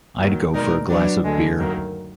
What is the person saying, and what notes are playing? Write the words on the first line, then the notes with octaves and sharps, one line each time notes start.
I'd go for a glass of beer.
D#2 D#3 F#3
B2 G#3 D#4 A#4 D5
F#3 D4 F#4 B4 D5
D2 D3 G#3
F#2 D#3 F#3 A#3